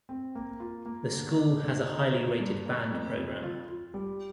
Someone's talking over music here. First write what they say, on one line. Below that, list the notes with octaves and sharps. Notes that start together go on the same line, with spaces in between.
The school has a highly rated band program.
C4
A#3
F4
A#3
D3
D4
D3
D#4
A#3
G2
A#3
F2
F2
F4
F4
G3